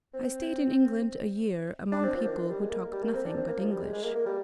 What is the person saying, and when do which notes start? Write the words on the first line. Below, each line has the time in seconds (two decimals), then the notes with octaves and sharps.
"I stayed in England a year among people who talked nothing but English."
0.14 C4
1.92 D4
2.04 C4
2.15 F3
2.26 D#3
2.36 D#3
2.48 G3
2.59 G#3
2.70 A#3
2.92 G3
3.03 A#3
3.14 C4
3.25 D4
3.36 C4
3.48 A#3
3.59 F3
3.71 G3
3.81 G#3
3.93 G#3
4.04 A#3
4.15 A#3
4.26 G3